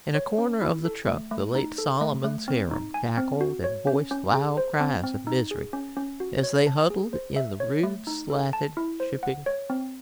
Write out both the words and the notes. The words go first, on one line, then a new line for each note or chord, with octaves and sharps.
In a corner of the truck, the late Solomon's harem cackled and voiced loud cries of misery as they huddled in the rude, slatted shipping coop.
C#5
C#4
E4
A4
A3
A3
D#4
A4
A3
A3
C4
D#4
G#5
C4
F#4
C#5
C#4
C#4
G#4
C5
C4
C4
D#4
G#4
C#4
C#4
F#4
C#5
A5
G#4
C5
E5
C#5
A3
D#4
A4
A5
E4
C5
F#5
C#5
C4